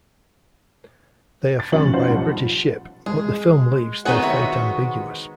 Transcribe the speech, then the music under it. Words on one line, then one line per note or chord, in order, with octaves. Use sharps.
They are found by a British ship, but the film leaves their fate ambiguous.
A6
F1 C#4 F#4 F#7
D#4 F4 C5 F#5
B1 F3 G3 F#5
G#3 G#4
D#3 B3 C4 F#4 G#4 C#5 F#5
C#5 E5